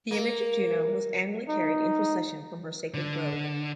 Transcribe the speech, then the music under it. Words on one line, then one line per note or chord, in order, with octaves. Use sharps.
The image of Juno was annually carried in procession from her sacred grove.
A#3
D#4
D3